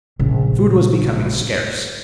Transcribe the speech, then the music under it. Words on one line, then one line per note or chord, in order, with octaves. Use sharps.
Food was becoming scarce.
A#1 C#3